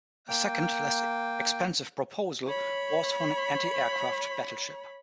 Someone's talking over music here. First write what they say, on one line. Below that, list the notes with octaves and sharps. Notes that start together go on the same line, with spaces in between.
A second, less expensive, proposal was for an anti-aircraft battleship.
A#3 G5
C#5 B5